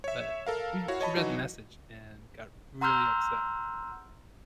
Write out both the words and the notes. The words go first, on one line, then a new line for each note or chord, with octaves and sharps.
but she she read the message, and got really upset.
C#5 E5
A4 A#4 F5
E4 F#4 C#5 F5 F#5
C#5 D#5 A5 B5
E3 F#3 D#4 F#4
F#5 A#5 C6 E6 F6 G6